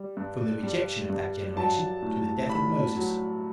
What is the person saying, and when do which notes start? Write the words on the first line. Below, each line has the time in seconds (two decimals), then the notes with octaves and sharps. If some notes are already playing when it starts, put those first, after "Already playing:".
From The Rejection Of That Generation To The Death Of Moses.
Already playing: G3
0.17 G2
0.63 G3
1.10 G2
1.56 F#3 A5
2.02 A2
2.50 A2 B5
2.95 F#3